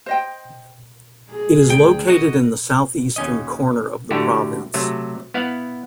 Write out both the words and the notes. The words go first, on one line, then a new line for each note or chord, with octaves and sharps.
It is located in the southeastern corner of the province.
C5 D#5 G5
G#4
D2 G5
F#4 D#5
D#2 C#4 D#5
A2 D3 A3 F#4 G4
C3 F#3 A3
B3 E4 F5 F#5